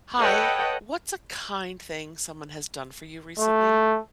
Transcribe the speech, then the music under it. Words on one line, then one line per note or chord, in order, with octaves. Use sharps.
Hi. What's a kind thing someone has done for you recently?
A4 B4 C#5 D#5 F#5 G5
A3